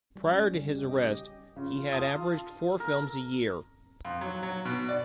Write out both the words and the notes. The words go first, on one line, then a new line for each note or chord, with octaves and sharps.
Prior to his arrest, he had averaged four films a year.
G3
C#4
C#3
G4
D#5
G4
C#3 F4
F5 A5 D#6
A4 A#4
F2
F#3
F#3
B2
D5